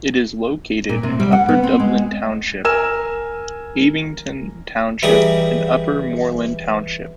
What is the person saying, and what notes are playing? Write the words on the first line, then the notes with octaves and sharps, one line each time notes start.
It is located in Upper Dublin Township, Abington Township and Upper Moreland Township.
A#2
C3
G3
F#5
B3
C4
G#3
A#4 G#5 E6 E7
E3 G3 D#4 G#4